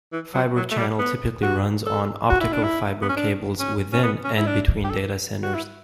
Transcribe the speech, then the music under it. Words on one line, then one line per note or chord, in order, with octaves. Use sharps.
Fibre Channel typically runs on optical fiber cables within and between data centers.
E3
F#3
F#3
A3
G3
B3
F#4
A4
F#4
E4
D4
E4
B3
C#4
D4
C#4
C#4
B3
C#4
E4
D4
G4
A4
F#4
E4